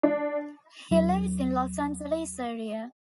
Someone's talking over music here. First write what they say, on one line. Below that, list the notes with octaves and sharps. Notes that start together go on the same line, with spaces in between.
He lives in the Los Angeles area.
D4
D#2 F#3